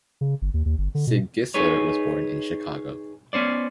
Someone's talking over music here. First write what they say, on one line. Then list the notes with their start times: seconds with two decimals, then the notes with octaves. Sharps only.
Sig Gissler was born in Chicago.
0.21 C#3
0.42 G1
0.54 D#2
0.66 D#2
0.78 G1
0.95 D3
1.07 B2
1.54 D#4 G#4 B4 C#5
3.33 B3 C#4 C5 D5